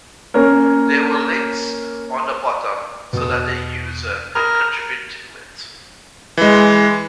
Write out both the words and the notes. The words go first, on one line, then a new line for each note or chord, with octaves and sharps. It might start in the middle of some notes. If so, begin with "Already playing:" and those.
There were links on the bottom so that the user could contribute to it.
A#3 C#4 A#4
E2 B2 D#6
A#4 B5 D#6 F6
E3 G#3